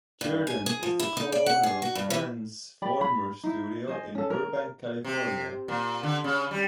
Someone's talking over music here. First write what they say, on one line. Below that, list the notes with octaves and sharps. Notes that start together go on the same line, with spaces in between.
Jerden is the co-owner of Tranzformer Studio in Burbank, California.
G2
G#5
G#4
F3
E4
D#4
D5
F#5
G#4
F#4
G2
E3
G4 D5 B5
B5
D#4 E4
C5 D#5 G#5
C#4 A4
A#4
C3
A#2
D3
C#3
G3